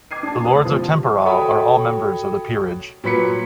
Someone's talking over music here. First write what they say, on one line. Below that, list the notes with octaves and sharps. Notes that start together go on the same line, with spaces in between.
The Lords Temporal are all members of the Peerage.
D6 G#6 C7 D#7
D4 A5
F1 B4 D#6
C3 F3 G3
F#4 A4 C#5 G5 B5 D#6
A#2 F#3 B4 B6 C#7